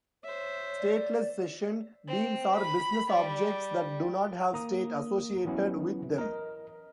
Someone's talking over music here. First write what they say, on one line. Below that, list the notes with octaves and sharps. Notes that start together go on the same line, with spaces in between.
Stateless Session Beans are business objects that do not have state associated with them.
C5 C#5 E5
D5
C4
B5
G3
A#3 A#5 D#6
E3 F#3 B3 C#4 E4
A#4 D#5